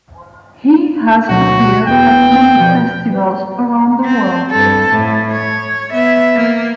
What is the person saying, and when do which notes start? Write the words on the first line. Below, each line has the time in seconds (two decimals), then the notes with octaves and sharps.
He has appeared at many festivals around the world.
1.29 D2 B2 F#3 F#4
1.87 E2 B3 G5
2.57 B2 F3
4.05 C4
4.50 G2 A4
4.90 A2
5.32 C#5
5.91 B3 E5
6.37 A#3